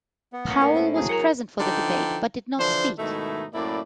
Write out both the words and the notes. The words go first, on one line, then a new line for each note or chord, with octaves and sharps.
Powell was present for the debate but did not speak.
B3
A2 A#3 C#4
A#4 C#5 G5
C4 E4 A4
F#3 G#4
A#4 F#5 G5 A#5
D3 E3 F3 D#4 G5
D3 E3 F3 D4 E4 C5
G#2 B2 D#3 A3 D#4 E4
F#2 A2 A#3 E4 D5